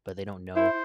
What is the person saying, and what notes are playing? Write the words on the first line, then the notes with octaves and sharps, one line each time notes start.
but they don't know,
E4 C5